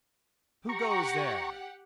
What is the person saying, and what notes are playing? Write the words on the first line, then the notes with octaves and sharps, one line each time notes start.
"Who goes there?"
G4 F#5 A#5 C#6